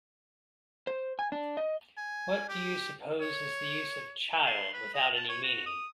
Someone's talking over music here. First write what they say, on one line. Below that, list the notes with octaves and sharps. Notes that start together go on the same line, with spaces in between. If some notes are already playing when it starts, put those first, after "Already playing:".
What do you suppose is the use of child without any meaning?
C5
G#5
D4
D#5
G#5
G4
C#5
C6
B4
D#5
A5
C#5
F#4
D#6